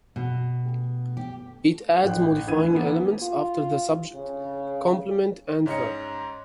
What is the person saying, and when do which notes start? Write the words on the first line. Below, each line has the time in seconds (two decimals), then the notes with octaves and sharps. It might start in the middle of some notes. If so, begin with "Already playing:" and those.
It adds modifying elements after the subject, complement, and verb.
0.16 B2
1.17 G4
2.04 A1 G5 F#6
2.47 D2 E3 B4 G#6 D#7
2.73 E3 A#3 B3 E4
3.22 F4
4.15 C#3
5.66 G#2 C#4 D#5 C#7